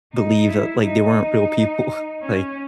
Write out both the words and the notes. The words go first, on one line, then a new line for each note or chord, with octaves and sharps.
believe that, like, they weren't real people, like,
D#4
E4
D#4
C#4